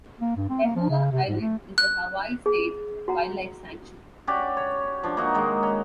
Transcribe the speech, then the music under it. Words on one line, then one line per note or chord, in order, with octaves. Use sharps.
Lehua Island is a Hawaii State Wildlife Sanctuary.
A#3
G2
C4
A#3
F3
C#3
C3
G#2
A3
F#6
G#4
F#4 F#5 A#5
C#4 F#4 G4 D5
C#5
F3 D4
A#3 D#4 F#4
D#3 G#3
C#4 F#4